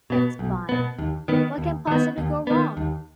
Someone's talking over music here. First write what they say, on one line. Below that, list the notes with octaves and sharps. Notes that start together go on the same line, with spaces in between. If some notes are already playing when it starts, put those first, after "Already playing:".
It's fine. What can possibly go wrong?
B2 B3
B1
B2 B3
D#2
D#3 B3
D#2
D#3 B3
D#2
D#3 B3
D#2